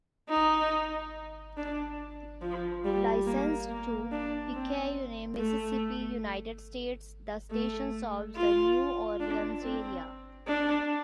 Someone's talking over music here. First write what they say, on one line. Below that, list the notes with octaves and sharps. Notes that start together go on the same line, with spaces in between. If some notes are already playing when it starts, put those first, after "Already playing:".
Licensed to Picayune, Mississippi, United States, the station serves the New Orleans area.
D#4
D4
F3
G3
A#3
A#3
D4
C4
A3
A3
F4
D4
C4
D4